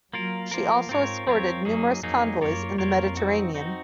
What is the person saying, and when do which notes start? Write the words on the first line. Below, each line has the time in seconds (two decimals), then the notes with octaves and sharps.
She also escorted numerous convoys in the Mediterranean.
0.13 F#3 A#3 F4 A#4
0.51 F3 A#3 F4 A#4
0.89 G#2 C4 F4 A#4 C#5
1.27 F2 C4 F4 A#4 C#5
1.65 F#2 F#3 A#3 D#4 G#4
2.03 F2 F#3 A#3 D#4 G#4
2.41 F#2 A#3 F4 A#4 C#5
2.78 F2 A#3 F4 A#4 C#5
3.17 C4 D#4 F#4
3.54 C4 D#4 F#4